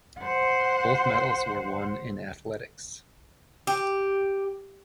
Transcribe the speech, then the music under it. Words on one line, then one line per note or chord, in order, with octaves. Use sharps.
Both medals were won in athletics.
C5 F#5
G4